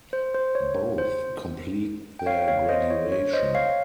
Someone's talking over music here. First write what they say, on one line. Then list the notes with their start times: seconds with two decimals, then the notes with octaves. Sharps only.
Both complete their graduation.
0.13 C5
0.35 C5
0.55 C#5
0.98 C5
2.19 G5
2.26 C#5 F5
2.48 C#5 F5
2.69 C5 D#5
2.90 C#5
3.12 C#5
3.33 C5 D#5
3.55 C#5 F5